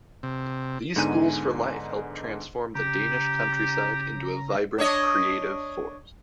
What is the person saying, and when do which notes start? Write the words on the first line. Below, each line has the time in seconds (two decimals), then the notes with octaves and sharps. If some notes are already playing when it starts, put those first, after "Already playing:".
These schools for life helped transform the Danish countryside into a vibrant, creative force.
0.23 C3
0.96 G#2 D3 B3 D#4 G#5 D#7
2.75 C#3 G4 A#5
4.78 D4 C#5 D#5